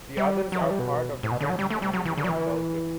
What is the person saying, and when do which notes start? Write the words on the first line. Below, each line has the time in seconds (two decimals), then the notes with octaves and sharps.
The others are part of the French community of Belgium.
0.17 G3
0.52 F#3
0.61 E3
0.70 G3
0.79 B2
1.23 A2
1.31 B2
1.41 D3
1.49 F#3
1.59 G3
1.70 A3
1.82 G3
1.93 F#3
2.05 E3
2.17 D3
2.24 F#3
2.29 E3